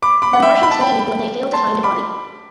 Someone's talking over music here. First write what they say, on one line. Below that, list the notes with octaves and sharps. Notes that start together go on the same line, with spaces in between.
The Marshals leave when they fail to find Bobby.
B5 D6
B5 D6
F#5
E5 G5
B5
A5
G5 B5
A5 C6
B5 D6